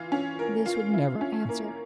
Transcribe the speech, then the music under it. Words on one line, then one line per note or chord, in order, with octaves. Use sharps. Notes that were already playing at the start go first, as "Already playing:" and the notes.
This would never answer.
Already playing: E3 F4
C#4
A#4
F4
E4
C#4
A#3